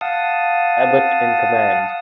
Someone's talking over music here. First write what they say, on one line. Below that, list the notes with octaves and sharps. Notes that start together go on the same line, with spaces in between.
Ebert in command.
F5 F#5 A5 D#6